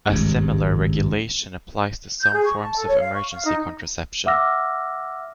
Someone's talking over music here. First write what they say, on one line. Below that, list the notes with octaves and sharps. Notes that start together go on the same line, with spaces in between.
A similar regulation applies to some forms of emergency contraception.
G#1 C#2 G2
G6
G#4
C#6
A5
A4
C#5
F5
C#6
F5
D#4
E5 F#5 D6 E6 F6 A#6